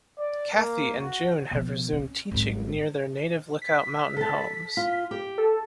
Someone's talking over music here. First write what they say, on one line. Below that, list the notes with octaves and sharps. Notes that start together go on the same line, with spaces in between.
Kathy and June have resumed teaching near their native Lookout Mountain homes.
D5
A#3
F#4
B2 F3
C#4
G#1 F#2
B6
A4 A5
F4
G4
A4